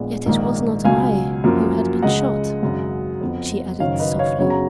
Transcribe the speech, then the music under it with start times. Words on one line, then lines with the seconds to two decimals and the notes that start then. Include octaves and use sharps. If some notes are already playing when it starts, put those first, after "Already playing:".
"Yet it was not I who had been shot," she added softly.
Already playing: A#1 A#2 G#3 B3
0.26 A#1 G#2 D#3 A#3
0.84 C#2 B2 F#3 F5 G#5
1.44 F#2 F3 A#3
2.02 C#2 C#3 G#3 D#5 F#5
2.62 G#1 F#2 C#3
3.21 F2 F3 B3
3.80 F#1 F#2 D#3 C#5 F5
3.99 B4 D#5
4.19 C#5 F5
4.39 F#2 C#3 F#3 B3 C#5
4.50 A#5